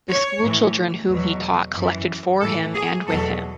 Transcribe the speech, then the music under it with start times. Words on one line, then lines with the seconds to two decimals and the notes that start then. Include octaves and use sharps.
The school children whom he taught collected for him and with him.
0.09 C#5
0.42 A2 E3
1.09 E2 B2 F#3
1.75 F#2 E3
2.41 A2 E3 A4
2.74 G#4
3.07 E2 B2 F#3 A4